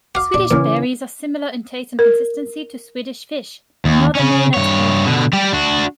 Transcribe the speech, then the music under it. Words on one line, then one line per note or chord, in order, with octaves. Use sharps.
Swedish Berries are similar in taste and consistency to Swedish Fish, another Maynards product.
F#4 F5 D6
A#2 D4
A#2 C#3 E3 C#4 D#4
A#4
D#2
C#3 C#4
G2 C#5
B2 D3
G3 G4
D4 F#4